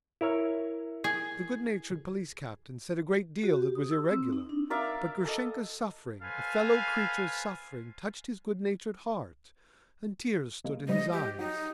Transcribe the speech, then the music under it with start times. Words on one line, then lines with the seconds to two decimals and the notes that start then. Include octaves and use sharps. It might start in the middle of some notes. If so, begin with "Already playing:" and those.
The good-natured police captain said a great deal that was irregular, but Grushenka's suffering, a fellow creature's suffering, touched his good-natured heart, and tears stood in his eyes.
0.21 E4 A#4 C#5
1.04 G#4
3.44 F#4
3.57 G4
3.75 D#6
3.91 E6
4.10 C4
4.33 D#4
4.49 D4
4.70 A#4 D5 E5 F5
5.25 A4 D#5
6.23 A4 B4 C5 F5 G#5
10.64 C3 G#3 A#3
10.88 A2 F3 G3 D#5
11.13 G4
11.39 F#3 D#4 G4